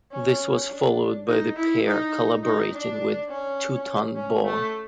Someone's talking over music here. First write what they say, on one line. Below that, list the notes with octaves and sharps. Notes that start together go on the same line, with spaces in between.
This was followed by the pair collaborating with Two Ton Boa.
C#4
D4
D#4
E4
D#4
D#4
D4
C#4
C#4
A3